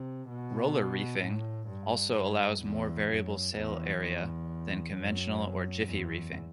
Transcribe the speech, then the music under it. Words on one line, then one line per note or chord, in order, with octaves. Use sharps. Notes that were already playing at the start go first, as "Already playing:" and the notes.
Roller reefing also allows more variable sail area than conventional or jiffy reefing.
Already playing: C3
B2
A2
G2
G2
E2
F#2
E2
E2
F#2
E2